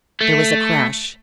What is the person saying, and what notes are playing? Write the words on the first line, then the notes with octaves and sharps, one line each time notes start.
There was a crash!
A3